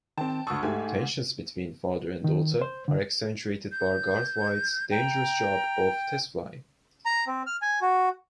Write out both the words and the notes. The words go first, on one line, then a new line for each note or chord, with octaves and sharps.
Tensions between father and daughter are accentuated by Garthwaite's dangerous job of test flying.
D#3 C4 G5 A5
D2 A5 C#6 D#6 E6
G#2 A3 G4 G#5
D#3
C5
D3
G6
G5 A#5
A#5
C4
F6
G#5
F#4